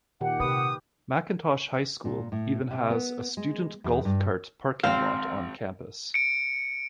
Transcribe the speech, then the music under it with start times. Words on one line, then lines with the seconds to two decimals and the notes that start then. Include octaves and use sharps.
McIntosh High School even has a student golf cart parking lot on campus.
0.21 A#2 D#3 G4 F#5
0.40 C3 G4 B4 D#6
2.05 A#2
2.32 A2
2.71 C3
2.90 B3
3.37 G#3
3.84 E2
4.05 G2
4.83 G#1 C4 C5 F5
6.14 C#7 D7